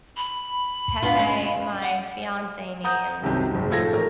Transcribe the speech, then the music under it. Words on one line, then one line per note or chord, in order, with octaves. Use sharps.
Pepe, my fiancé named.
B5
B3 D4 F4
C#4
F#5
F#5 A#5 D#6 G6
C2 F#2 C3 D#3
F#1 G#2
A2 F3 A4 G#6 A#6
A1 A#4